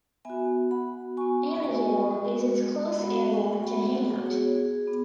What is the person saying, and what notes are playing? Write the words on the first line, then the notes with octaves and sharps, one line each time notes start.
Annadale is its close area to hangout.
B3 F#4 E5 G#5
F#5 B5
B3 F#4 G#5 C#6
G#5 C#6
G#3 B3 F#4
G#3 B3 F#4 F#5 B5
G#5 C#6
F#5 B5
B3 F#4 C#5 F#5
G#4 C#5
G#4
B3